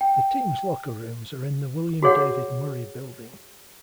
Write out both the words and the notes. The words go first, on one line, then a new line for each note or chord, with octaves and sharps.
The teams locker rooms are in the Willam David Murray Building.
G5
F#4 G#4 C#5 F#5